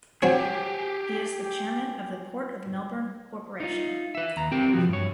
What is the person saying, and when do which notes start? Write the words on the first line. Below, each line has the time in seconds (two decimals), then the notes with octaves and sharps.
He is the Chairman of the Port of Melbourne Corporation.
0.22 F#3 C4 G4 G#4 C#5
3.60 D#4 F4
4.15 B4 E5
4.37 D#2 A#5
4.52 C4 G4 A#4 C5 G5
4.73 C2 A#2 F3 F#4
4.89 G2 C#5